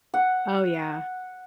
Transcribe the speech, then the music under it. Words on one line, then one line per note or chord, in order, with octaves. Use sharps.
Oh, yeah.
F#5